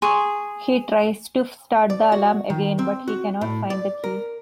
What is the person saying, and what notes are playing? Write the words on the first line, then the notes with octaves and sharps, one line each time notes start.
He tries to start the alarm again, but he cannot find the key.
G#4 C6 C#6
D5
F#4
D#3
C4
F#4
A2
D5
A#4